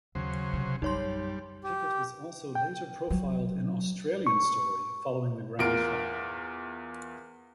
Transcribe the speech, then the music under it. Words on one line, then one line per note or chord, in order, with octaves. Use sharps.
Pickett was also later profiled in "Australian Story" following the Grand Final.
D#2 C#3 F#3 C5
C3
A#1 F#2 G3 D#4 C#5 C6
G4
G5
F#3
C#6
E2 F4 A#4 D7